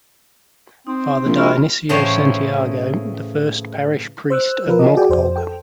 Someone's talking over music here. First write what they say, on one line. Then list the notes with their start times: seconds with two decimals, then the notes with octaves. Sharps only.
Father Dionisio Santiago the first parish priest of mogpog.
0.87 C4 D#4
1.25 A#1
1.37 G#3 F#4 A#4 B5 C#6
1.89 A2 C#3 E3 C#4 C5 C#5
4.30 C5 E6 F#6
4.67 F3 F4 A#4 B4
4.79 D#5
4.97 F#4 G#4 D5 G5 G#5
5.10 F2 C5
5.36 A4 G5